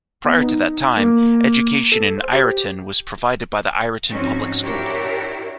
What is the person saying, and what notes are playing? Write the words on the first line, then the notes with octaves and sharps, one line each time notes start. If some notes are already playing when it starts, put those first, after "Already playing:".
Prior to that time, education in Ireton was provided by the Ireton Public School.
B3
D#4
A#3
A4
C5
G4
G#2 F3 C4 C#4 D#4 F#4
D4 E4 F#4 G4 A#4 C#5